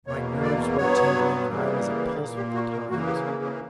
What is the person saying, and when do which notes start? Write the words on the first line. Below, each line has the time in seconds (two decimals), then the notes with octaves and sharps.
My nerves were tingling and I was a-pulse with the times.
0.06 E2 B2 A#3 C#5
0.42 D5
0.77 G2 F#3 B3 C#5
1.48 C#3 E3 G3 A#3
2.18 A#2 A#3
2.36 G4
2.54 F#4
2.72 A#4
2.89 C#3 E3 A#3 F#4
3.07 G4
3.25 C#4
3.43 C#4